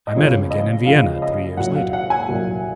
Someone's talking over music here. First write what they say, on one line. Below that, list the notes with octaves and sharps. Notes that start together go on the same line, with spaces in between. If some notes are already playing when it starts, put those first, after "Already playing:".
I met him again in Vienna three years later.
D#5
C#2 C#3 F3 C#5
D#5
C#2 C#3 F3 F5
D#5
C2 A#2 F#3 F#5
F5
F#5
G#5
C2 A#2 F#3